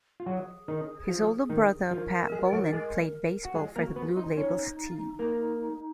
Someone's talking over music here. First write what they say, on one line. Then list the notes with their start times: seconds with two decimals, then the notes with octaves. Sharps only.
His older brother Pat Boland played baseball for the Blue Labels team.
0.20 F4
0.26 F#3 F#4 G#4
0.68 D#3 D#4
1.09 F3 F4
1.49 D#3 D#4
1.91 F3 F4 A#4
2.32 G#3 G#4
2.52 F#3 F#4
2.73 G#3 G#4
3.45 F#4
3.55 G#3 G#4
3.76 A#3 A#4
3.83 F#4
3.96 B3 B4
4.10 F4
4.17 D#4 D#5
4.37 C#4 D#4 C#5
5.19 A#3 A#4